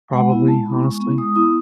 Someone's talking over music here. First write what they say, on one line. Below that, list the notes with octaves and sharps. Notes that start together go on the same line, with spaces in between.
Probably, honestly.
G#3 F#5
B3 E4
G#3 A5
B3 E4 B5
G#3 C#6
B3 E4 C#6
G#3 D#6
B3 E4 D#6